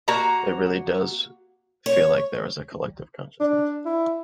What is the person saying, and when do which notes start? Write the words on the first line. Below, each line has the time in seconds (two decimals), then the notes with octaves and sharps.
It really does feel like there is a collective consciousness.
0.08 A#3 F#4 A#5
1.86 C#5
3.40 D4
3.86 E4